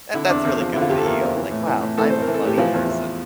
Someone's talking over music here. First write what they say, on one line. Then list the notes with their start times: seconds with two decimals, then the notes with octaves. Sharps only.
that that's really good for the ego. I'm like, "Wow, I'm a funny person."
0.14 D3 E4 E5
0.25 E5
0.29 E2 D4 D5
0.45 E2 C4 C5
0.60 F3
0.73 D3 E4
0.81 F4
0.89 E2 G4
0.98 A4
1.05 E2 A#3 A#4
1.21 F3
1.37 E3
1.51 A2
1.67 E3
1.81 A2
1.97 E3 A3 A4
2.10 A2 C5
2.22 A#4
2.27 E3
2.34 A4
2.44 A2 G4
2.58 E3 F3 F4
2.74 E2
2.89 E3